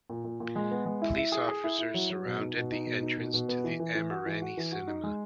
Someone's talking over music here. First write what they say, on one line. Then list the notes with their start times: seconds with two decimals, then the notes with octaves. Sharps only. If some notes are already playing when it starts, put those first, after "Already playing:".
Police officers surrounded the entrance to the Amirani Cinema.
0.10 A#2
0.24 A#2
0.40 A#2
0.56 G#3
0.71 B3
0.86 G#3
1.02 E4
1.17 E4
1.32 G#4
1.49 G#4
1.64 E4
1.79 E4
1.94 F#3
2.10 F#3
2.25 B2
2.40 D#4
2.57 B2
2.72 D#4
2.87 B2
3.02 D#4
3.18 B2
3.33 B2
3.49 B3
3.64 E3
3.80 E3
3.95 E3
4.11 F#4
4.26 E3
4.42 F#4
4.57 E3
4.72 F#4
4.88 D#4
5.04 G#3